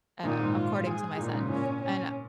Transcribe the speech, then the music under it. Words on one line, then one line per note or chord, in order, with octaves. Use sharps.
uh- according to my son- and I
A#2 D#3 D#4
G#2
F4
G#4
A#2 D#4
G#2 C#3
A#2 C#4
C#4